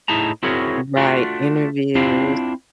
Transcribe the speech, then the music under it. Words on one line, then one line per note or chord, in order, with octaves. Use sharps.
Mm, right, interviews.
A2 D#4 E4 G#4 A5 A#5
C4 E4 F#4 G#4 A#4 C#5
A3 D4 F4 F#4
C4 D4 E4 F4 F5